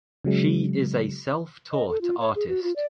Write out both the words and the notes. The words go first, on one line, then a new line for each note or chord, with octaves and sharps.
She is a self-taught artist.
C#3 F#3 G#3
D#5
A4
F4
C#5
G#4
F#4
F4
D5